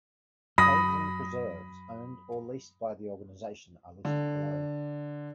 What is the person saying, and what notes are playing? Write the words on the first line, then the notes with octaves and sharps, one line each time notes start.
Caves and preserves owned or leased by the organization are listed below.
F#2 B5 D#6 A#6
D3